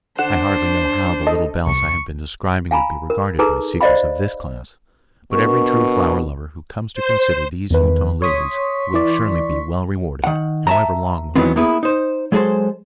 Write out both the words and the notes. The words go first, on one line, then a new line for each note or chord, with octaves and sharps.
I hardly know how the little bells I have been describing would be regarded by seekers of this class, but every true flower-lover who comes to consider these Utah lilies will surely be well rewarded, however long the way.
D3 D4 C5 F#5 E7
A4 D#5
C2 C#6 C#7
F5 G#5 A#5 B5
A#4
D#4 G#4 A4 B4 A#5
C5 D5 D#5 F5 B5
B2 D4 A#4 C#6
C5
E2 D#3 B4
C#5 C6 C#6 D#6 B6
E3 D5
D#3 F#5
E5 A5 A#5
D#3 E3 F#3 B3 C4
A#3 B3 E4 G#4 B4
D#4 C5
F#3 G#3 G#4 A4 C5